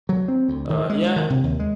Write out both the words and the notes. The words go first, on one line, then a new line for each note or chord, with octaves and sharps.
Uh, yeah,
F#3
C4
D2
D#3
G#3
D#3
C3
D#2
G#3